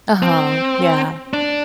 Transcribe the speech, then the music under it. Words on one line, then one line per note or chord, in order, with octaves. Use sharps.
uh-huh, yeah
C4
D4